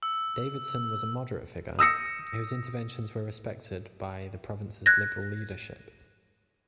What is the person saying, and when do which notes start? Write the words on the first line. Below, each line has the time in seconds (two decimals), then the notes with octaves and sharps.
Davidson was a moderate figure, whose interventions were respected by the province's Liberal leadership.
0.03 E6
1.79 D#6 E6 A#6 C#7
4.86 F#6 G#6 A#6